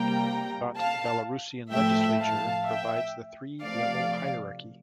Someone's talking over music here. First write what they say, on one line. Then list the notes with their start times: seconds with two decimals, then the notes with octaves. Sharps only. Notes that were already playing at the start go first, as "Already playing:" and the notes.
But Belarusian legislature provides the three-level hierarchy.
Already playing: C3 G3 A#3 G5 A#5
0.78 F5 A5
1.72 A2 F3 A3 E5 G5
2.19 F5 A5
2.67 E5 G5
3.61 C3 F3 A3 D5 F5